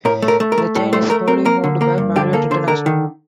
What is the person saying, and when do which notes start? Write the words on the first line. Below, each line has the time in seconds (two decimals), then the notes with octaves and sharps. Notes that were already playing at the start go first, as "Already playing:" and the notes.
The chain is wholly owned by Marriott International.
0.05 A2 A#4
0.22 A3
0.28 A#4
0.40 A3
0.52 A#4
0.58 A3
0.75 A2 A4
0.93 A3 C5
1.10 A3 A#4
1.28 C4 A#4
1.45 A#3 A#4
1.64 D3
1.81 A#3 A#4
1.98 G2
2.16 D3 G4
2.33 A#3 A4
2.51 D3 C5
2.68 D3 A#4
2.86 D#3